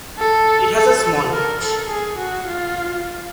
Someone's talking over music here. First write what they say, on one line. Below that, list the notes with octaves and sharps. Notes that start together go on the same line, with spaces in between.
It has a small beach.
A4
A4
A#4
A4
G#4
F#4
F4